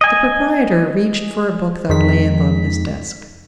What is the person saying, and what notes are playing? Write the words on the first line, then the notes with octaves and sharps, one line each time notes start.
The proprietor reached for a book that lay above his desk.
D#5 G#5
F2 D#3 G#3 B6